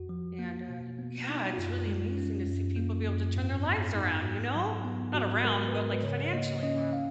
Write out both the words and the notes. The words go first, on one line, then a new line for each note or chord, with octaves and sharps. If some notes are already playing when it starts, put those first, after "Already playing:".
and, uh yeah, it's really amazing to see people be able to turn their lives around, you know? Not around, but, like, financially around.
Already playing: F2 F#4
F3
A#3
B2
B3
D#4
F#4
F#2 F4
G#3
C#4
F#2
A#3
F#2
G#2
B3
D#4
G#2
F#3
B3
G#2 F#4
G#3 A#4
B4
G#2 A#4
B4
C#3 C#5
A#3 D#5
C#4 D#5
F5